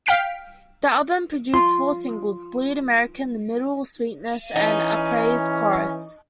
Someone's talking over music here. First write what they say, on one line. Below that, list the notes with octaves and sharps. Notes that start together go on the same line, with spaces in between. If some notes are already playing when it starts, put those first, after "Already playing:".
The album produced four singles: "Bleed American", "The Middle", "Sweetness", and "A Praise Chorus".
F5 G5 F6 B6 D7
F4 C6
E3 C#4 D#4